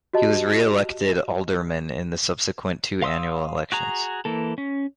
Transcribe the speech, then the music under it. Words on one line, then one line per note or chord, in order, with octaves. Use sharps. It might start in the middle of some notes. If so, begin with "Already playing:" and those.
He was re-elected alderman in the subsequent two annual elections.
F#4 G4 D#5 A5
F5 C6 D#6 E6
F#4 G#4 A#5
E3 A#3 A4
C#4